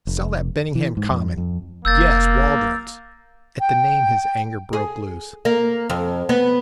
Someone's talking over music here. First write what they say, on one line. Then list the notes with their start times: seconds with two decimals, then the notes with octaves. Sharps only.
Sell that Benningham Common--yes, Waldron's.' At the name his anger broke loose.
0.07 F1
0.75 E3
0.97 G#2
1.10 F2
1.38 F2
1.85 F1 A#3 E6 G6 A6
3.60 G5
4.73 G#4
5.45 A#3
5.90 F2
6.29 B3